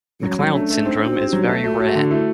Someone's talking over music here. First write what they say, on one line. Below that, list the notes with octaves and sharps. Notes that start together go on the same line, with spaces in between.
McLeod syndrome is very rare.
F#3 C#4
F#3
A3 D4
A3
C4 D#4
C4 F#4
C4
G4
F#3
A3 F#4
A3
A3 F#4
D3
A3 E4